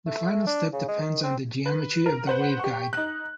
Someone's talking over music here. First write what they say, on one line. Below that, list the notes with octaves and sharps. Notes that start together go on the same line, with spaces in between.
The final step depends on the geometry of the waveguide.
A3
D4
C#3
G#3
D#3
C4
B4
A#4
B4 C5 F#5
G4 C#6
D#4 F#6